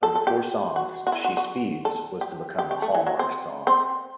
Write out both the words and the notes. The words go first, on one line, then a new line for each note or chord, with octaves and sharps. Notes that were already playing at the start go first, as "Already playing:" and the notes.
Of the four songs, "She Speeds", was to become a hallmark song.
A4
A4
G4
F#4
F#4
E4
F#4
F#4
A4
G4
G4
G4
A3
E3
F#3
C4
C4